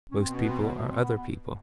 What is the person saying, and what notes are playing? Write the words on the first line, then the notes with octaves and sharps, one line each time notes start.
Most people are other people.
C#4
B2 C4
C#4
C4
B3
A3
C4
B3
B3